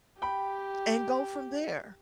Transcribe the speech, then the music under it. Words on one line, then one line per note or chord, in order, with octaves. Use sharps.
And go from there.
G4 G5 B5